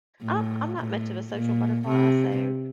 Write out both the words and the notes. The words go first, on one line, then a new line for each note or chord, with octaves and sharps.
I'm I'm not much of a social butterfly, so
A2
A2
A#2
C3